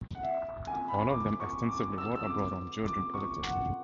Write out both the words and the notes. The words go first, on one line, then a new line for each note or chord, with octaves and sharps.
All of them extensively wrote abroad on the Georgian politics.
F#5
E5
G#5
B5
D6
C#6
D6
E6
E6
D6
D6
C#6
F#5